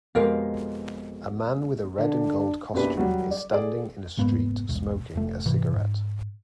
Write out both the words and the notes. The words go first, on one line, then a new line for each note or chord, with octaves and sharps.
A man with a red and gold costume is standing in a street smoking a cigarette.
F2 B2 G#3 G4 A#4 F5
D3 D4
F#1 B1 B2 D4 G4 B4
F#3 G3
D5
G#4 A4 D5
F1 G#2 A#3 B3
E1 B1
F1 A3
G#2 C3 E3
G#2